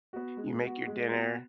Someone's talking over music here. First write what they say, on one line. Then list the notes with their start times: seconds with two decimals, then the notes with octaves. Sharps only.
you make your dinner,
0.13 B3 F#4
0.37 G#3
0.62 B3 F#4
0.86 G#3
1.11 B3 F#4